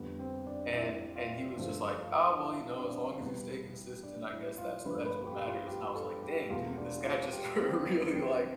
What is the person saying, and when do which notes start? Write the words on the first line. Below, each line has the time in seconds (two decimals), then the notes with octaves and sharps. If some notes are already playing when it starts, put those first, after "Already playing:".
and and he was just like, "Oh well, you know, as long as you stay consistent, I guess that's that's what matters," and I was like, "Dang, dude, this guy just really like"
Already playing: F2 D3 G3 B3
0.19 C4
0.47 D4
0.74 E4
1.16 F4
1.57 G1 G2 F3 A3
2.39 E4
2.70 C4
2.80 D4
3.20 E2 B2 G3 B3
4.03 D4
4.31 E4
4.58 F4
4.85 G1 G2 F3 A3 B4
5.06 B4
5.26 G4
5.47 F4
5.67 G4
5.95 A4
6.23 G4
6.50 E1 E2 B2 A3 F4
6.78 D4
7.05 F4
7.33 G4
7.60 C4
7.87 B3
8.14 F1 E2 D3 F3 C4